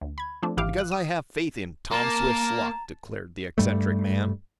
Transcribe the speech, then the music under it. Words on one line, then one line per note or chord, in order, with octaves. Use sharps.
"Because I have faith in Tom Swift's luck!" declared the eccentric man.
D2
B5 G#6
F3 A3 C4 D4
G#1 E3 E4 G4 F5 D6
F#6
D#6
A#3 A5 A#5
G2 G3 A3